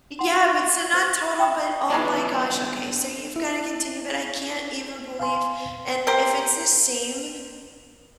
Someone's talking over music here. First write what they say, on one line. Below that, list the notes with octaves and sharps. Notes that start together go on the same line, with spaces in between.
Yeah, but so not total, but oh my gosh, okay so you've gotta continue, but I can't even believe and if it's the same
F#5 C6
C5
G5 A#5 C#6 D#6
E3 G#3 B3 D4 F4 D5
E4
F5 G#5 C6
G4 A#4 C5